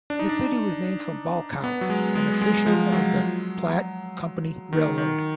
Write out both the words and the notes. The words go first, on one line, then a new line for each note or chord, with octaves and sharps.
The city was named for Bolckow, an official of the Platte Company Railroad.
D4
D#4
D4
B3
F#3
G#3
G#3
G#3
F3
F#3
D#3
D#3